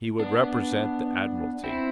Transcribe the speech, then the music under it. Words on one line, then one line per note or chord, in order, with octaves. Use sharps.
He would represent the Admiralty.
B3 D4
C4 E4